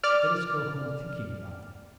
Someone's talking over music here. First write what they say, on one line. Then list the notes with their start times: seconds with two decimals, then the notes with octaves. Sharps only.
Let us go home thinking about that.
0.03 D5 F6